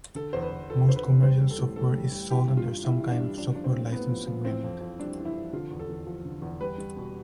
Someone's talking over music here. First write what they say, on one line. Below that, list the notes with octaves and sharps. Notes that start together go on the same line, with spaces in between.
Most commercial software is sold under some kind of software license agreement.
D3 A4
E2 C5
B4
E2
F3 A4
D3 C5
B4
E2
G3 C5
G3
A4
A2
A2 A4
G3
G3
E3 G4
G2
F4
G2
G3 E4
E3
D4
G2
F3 D4
F3 D4
C4
A2
A2 B3
F3
F3
E3 C4
F2
F2
G3 D4
E3
E4
F2
D3 F4
E2
A4
E2
F3
D3
E2
G3 B4
G3
B2